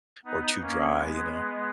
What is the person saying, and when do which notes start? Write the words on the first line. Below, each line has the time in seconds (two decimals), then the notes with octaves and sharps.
or too dry, you know?
0.25 B3 D#4
0.62 A#3 C#4
0.98 G#3 B3